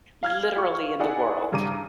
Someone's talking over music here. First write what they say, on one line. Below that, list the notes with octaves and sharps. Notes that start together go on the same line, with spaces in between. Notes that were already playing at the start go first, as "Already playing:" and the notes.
literally in the world.
F5 F6 G#6
F4 C#6
D#4 E4 G#4 D5 F#5 G#5
G2 C#3 G3 A#5 D6 D#7